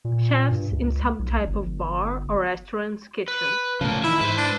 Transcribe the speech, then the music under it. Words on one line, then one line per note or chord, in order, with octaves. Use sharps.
Chefs in some type of bar or restaurant 's kitchens.
A#2
G2
C#2
B1
G1
B4
A2 C#3 F3 A#3
D#3 E3 E4 E5
G#2 B4 C5
D4